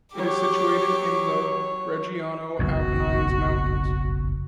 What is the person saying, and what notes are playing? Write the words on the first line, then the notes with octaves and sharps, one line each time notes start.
It is situated in the Reggiano Apennines mountains.
F#3 G4 C#5 D6
F#1 B1 F2 F#4